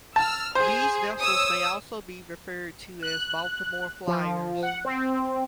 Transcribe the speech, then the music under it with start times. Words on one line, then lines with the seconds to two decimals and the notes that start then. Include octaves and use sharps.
These vessels may also be referred to as Baltimore Flyers.
0.16 A5 E6 F6
0.55 G#4 C5
1.21 C#5 D#6 E6
3.03 F#6
4.07 F3
4.63 F#5
4.85 C4